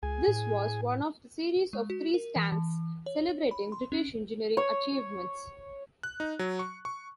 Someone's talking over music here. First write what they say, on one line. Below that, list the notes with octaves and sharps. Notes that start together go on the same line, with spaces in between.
This was one of a series of three stamps celebrating British Engineering Achievements.
C#2 G#4 G#5
A2
G#3
F#4
A#4
E3
E3
C#5
B5
C6
C#4
C#5
F#6
D#4
F#3
C#6
C#6